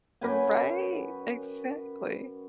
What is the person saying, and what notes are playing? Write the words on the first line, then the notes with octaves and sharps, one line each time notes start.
Right. Exactly,
F#2 B4 G5 G#5